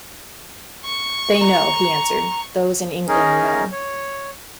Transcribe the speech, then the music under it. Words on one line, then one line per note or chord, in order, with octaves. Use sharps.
"They know," he answered - "those in England know."
C#6
A#5
C#4 D#4 G#4 A#4
C#5